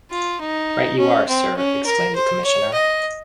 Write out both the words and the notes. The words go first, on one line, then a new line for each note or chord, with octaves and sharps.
Right you are, sir, exclaimed the commissioner.
F4
D#4
C#4
C4
C#4
A#4
C5
C#5
D#5